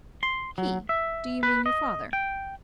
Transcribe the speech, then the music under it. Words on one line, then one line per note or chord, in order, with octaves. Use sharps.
"He--do you mean your father?"
C6
F#3
E5
B4
D#5
G5